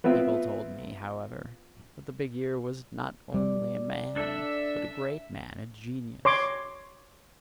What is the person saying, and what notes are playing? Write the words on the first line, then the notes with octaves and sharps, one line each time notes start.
The people told me, however, that the big ear was not only a man, but a great man, a genius.
B3 C4 F4 E5
G3 D5 D6
D4 A4 E5 E6
C#5 C6 D6